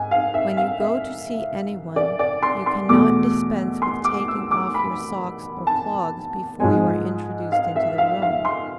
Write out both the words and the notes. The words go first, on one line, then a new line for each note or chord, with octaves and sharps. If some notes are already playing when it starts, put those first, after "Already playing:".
When you go to see any one, you cannot dispense with taking off your socks or clogs before you are introduced into the room.
Already playing: G#2 G#5
F5
E5
F5
E5
D5
D5
C6
C6
E2 B2 A3 D6
C6
D6
E6
D6
B5
A5
G#2 F3 G#3 G#5
F5
E5
F5
F5
C6